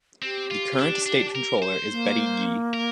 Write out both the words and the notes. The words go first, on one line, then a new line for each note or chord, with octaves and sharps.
The current state controller is Betty Yee.
C4 G4
F4
D4
D4
A#4
C5
A#3
A#4